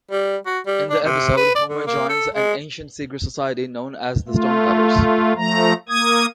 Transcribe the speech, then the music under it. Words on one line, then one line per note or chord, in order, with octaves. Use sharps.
In the episode, Homer joins an ancient secret society known as the Stonecutters.
G3
F#4
G3
D4
C3
B4
D5
D3
A#3
A4
G#3
A3 F4
F3 A3 A#5
A#3 D#6 G#6